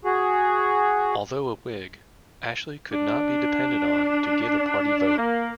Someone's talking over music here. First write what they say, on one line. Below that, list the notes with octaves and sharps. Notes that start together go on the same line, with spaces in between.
Although a Whig, Ashley could not be depended on to give a party vote.
F#4 G#4
D4
A#3